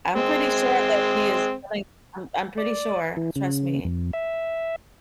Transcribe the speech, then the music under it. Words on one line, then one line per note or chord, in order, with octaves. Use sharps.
I'm pretty sure that she is telling Um, I'm pretty sure, trust me.
G#3 C4
D5
E3
C#3
F2
E5